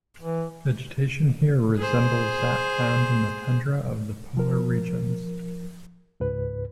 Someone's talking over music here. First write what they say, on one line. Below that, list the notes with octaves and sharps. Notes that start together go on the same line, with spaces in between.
Vegetation here resembles that found in the tundra of the polar regions.
E3
G#4 C5
F3 A#4
C#2 G#2 B4